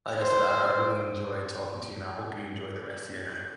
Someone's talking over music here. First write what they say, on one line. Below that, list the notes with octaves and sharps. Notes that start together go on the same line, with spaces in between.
like I said, I I really enjoyed talking to you, and I hope you enjoy the rest of your night.
C5